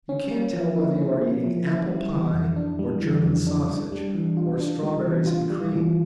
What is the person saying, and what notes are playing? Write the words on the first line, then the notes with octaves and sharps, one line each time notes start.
You can't tell whether you are eating apple-pie or German sausage, or strawberries and cream.
C#4
A#3
F3
E4
C#4
A#3
F3
E4
G3
E3
F2
D4
G3
E3
F2
D4
D4
G3
E3
F4
D4
G3
E3
F4
G3
E3